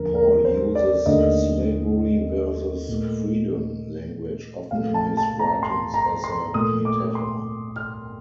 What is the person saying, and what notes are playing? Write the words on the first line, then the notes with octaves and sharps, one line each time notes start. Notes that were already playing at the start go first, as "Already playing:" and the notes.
Paul uses slavery versus freedom language often in his writings as a metaphor.
Already playing: D#2 D3 F3 A#4
A#4
C5
D5
D#2 D3 A3 D#5
A#2 A3
A#2 A3 F5
A5
A5
A#5
C6
A#5
C6
A#2 A3 D#6
D6
C6
F6